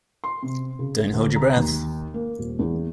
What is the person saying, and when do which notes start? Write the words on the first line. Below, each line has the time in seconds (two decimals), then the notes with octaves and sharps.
Don't hold your breath.
0.24 C6
0.43 C3
0.79 C#3
1.13 D2
1.36 A#5
1.57 D#2
2.14 A#3
2.39 D#1
2.59 E2